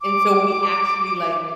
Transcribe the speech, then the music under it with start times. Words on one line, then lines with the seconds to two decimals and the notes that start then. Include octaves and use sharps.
And so, we actually, like
0.01 D6